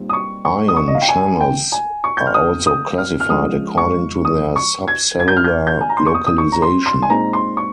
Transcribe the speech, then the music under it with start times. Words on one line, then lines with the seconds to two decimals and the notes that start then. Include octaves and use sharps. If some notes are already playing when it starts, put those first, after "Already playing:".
Ion channels are also classified according to their subcellular localization.
Already playing: A#2 G3 C4 D#4
0.09 D#6
0.13 C#6
0.45 C#6
0.68 D#6
0.76 C#6
0.88 D#5
0.95 F5
1.02 G5
1.09 G#5
1.41 G5
1.72 G#5
2.04 C#6
2.17 G6
2.26 F6
2.34 D#6
2.67 D#6
2.98 F6
3.20 F6
3.30 F3 G#3 C#4 D#6
3.78 C#6
4.25 D#6
4.56 C#6
4.88 G#6
5.20 G#6
5.28 G6
5.36 F6
5.44 G6
5.67 G6
5.81 G#5
5.89 A#5
5.97 C6
6.06 C#6
6.14 D#6
6.27 D#6
6.38 C#6
6.52 A#5
6.62 C6
6.86 C6
7.02 G#5
7.09 A#2 G#3 C4 D#4 A#5
7.33 C6
7.57 C#6